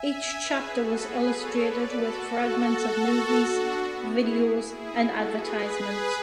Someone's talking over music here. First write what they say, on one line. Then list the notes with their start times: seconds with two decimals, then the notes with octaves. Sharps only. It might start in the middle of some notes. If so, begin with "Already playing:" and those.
Each chapter was illustrated with fragments of movies, videos and advertisements.
Already playing: E5 G#5
0.43 G#4 B4
0.74 F#4 A4
1.04 G#4 B4
1.35 A4 C#5
1.65 B4 D5
1.96 F#4 A4
2.26 F#4 A4
2.57 F#4 A4
3.49 D4 F#4
3.79 B3
4.10 E4 G#4
4.71 E4 G#4
5.02 F#4 A4
5.32 G#4 B4